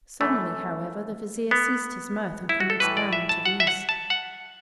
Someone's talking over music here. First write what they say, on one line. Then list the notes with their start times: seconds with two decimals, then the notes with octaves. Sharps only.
Suddenly, however, the Vizier ceased his mirth, and commenced bowing to the east.
0.21 F#2 E3 A3
1.51 B3
2.49 E4
2.60 F#4
2.70 A4
2.80 A2 E3 A3 B4
2.97 D5
3.13 E5
3.29 A5
3.46 F#5
3.60 E5
3.67 F#5
3.89 A5
4.10 F#5